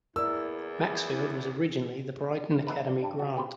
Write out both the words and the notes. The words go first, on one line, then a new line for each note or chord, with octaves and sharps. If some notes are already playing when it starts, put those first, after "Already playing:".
Maxfield was originally the Brighton Academy grant.
E2 E4 A#4 D5 E6
A3 B3 C#4 D#4 B4
D5
G2 D4
F#4
G4 B4 C5